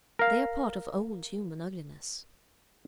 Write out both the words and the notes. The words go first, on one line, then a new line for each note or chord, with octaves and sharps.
They are part of old human ugliness.
A#4 F5